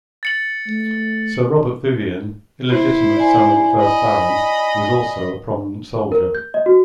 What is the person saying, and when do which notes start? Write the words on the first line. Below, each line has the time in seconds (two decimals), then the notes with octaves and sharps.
Sir Robert Vivian, illegitimate son of the first Baron, was also a prominent soldier.
0.23 A6 C#7 F#7
0.67 A3
2.70 E4 C5
3.17 D5 G#5
3.81 D#5 B5
6.12 A#4
6.35 G6
6.54 D#5
6.66 F#4